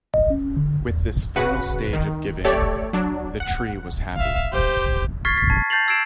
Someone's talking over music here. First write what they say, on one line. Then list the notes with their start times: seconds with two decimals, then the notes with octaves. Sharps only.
With this final stage of giving, "the Tree was happy".
0.14 D#5
0.30 C#4
0.57 D3
0.89 E2
1.36 C#3 F#4 B4 F#5
1.93 D#3
2.44 A3 G4 A4 C#5 D5
2.93 F#3 D4
3.40 F#5
4.16 E5 F5
4.53 G4 C5
5.25 C#6 F6 G#6 A6 B6 C7
5.37 A6 B6
5.49 A5 G#6
5.70 A5 G6 A6 C7 F7 F#7
5.88 E6 G#6 A6 C7 D7 E7